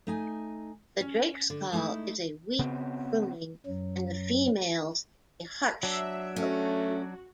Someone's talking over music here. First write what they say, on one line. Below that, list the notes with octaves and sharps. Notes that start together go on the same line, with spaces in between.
The drake's call is a weak crooning, and the female's a harsh croak.
A3 D#4 G#5
C#4
D3
G#3 A3 D#4 E4
C#3 B3 C4
F#2 F#3
F#3 D4 E5
A3 C#4 F#4